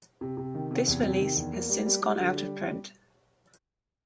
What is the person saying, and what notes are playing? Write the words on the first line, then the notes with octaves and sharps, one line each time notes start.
This release has since gone out of print.
C3
C3
D#3
C3
E2
C3
D#3
E2
A#3
G3
G3
G3
D3
G3